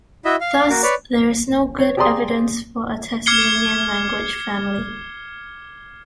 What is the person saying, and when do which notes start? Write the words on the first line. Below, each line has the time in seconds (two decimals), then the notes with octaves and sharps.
Thus there is no good evidence for a Tasmanian language family.
0.25 E4 F#4 D#5 E5
0.41 F5
0.70 A#3 F#4 A#4
0.83 B4 C#5 D5
1.79 C#5
1.97 G4 G#4 D5 A#5 C6 D#6
3.26 D6 F6 G#6 C7 C#7 G7